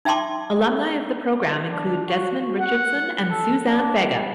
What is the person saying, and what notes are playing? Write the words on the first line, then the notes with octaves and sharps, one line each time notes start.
Alumni of the program include Desmond Richardson and Suzanne Vega.
D#4 E5 G5 A5 C6 D6
D4
F#4
F#5
A4
D4
G3